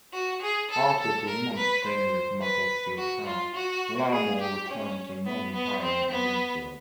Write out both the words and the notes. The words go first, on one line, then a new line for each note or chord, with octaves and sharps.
After two months training with Macclesfield Town, Larmour returned to Northern Ireland and Linfield.
F#4
G#4
A4
A4
A#4
B4
C5
B4
F#4
F4
F#4
G#4
G4
C#4
B3
B3
C4
B3